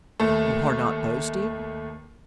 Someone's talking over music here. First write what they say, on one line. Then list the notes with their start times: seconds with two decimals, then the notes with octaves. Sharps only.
"You are not boasting?"
0.20 D#2 A3